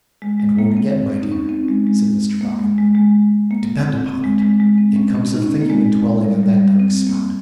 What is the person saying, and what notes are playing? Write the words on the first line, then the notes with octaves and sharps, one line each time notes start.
'And won't again, my dear,' said Mr Boffin. 'Depend upon it, it comes of thinking and dwelling on that dark spot.'
G#3
G#3
A#3
C4
D#4
C#4
C4
G#3
G#3
A#3
G#3
G#3
G#3
A#3
C4
C4
G#3
G#3
G#3
C4
C#4
C#4
D#4
C#4
C4
A#3
G#3
G3
G3
G3
C4
A#3